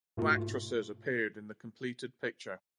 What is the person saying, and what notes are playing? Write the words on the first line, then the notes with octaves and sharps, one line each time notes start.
No actresses appeared in the completed picture.
G#2 B2 A3 F4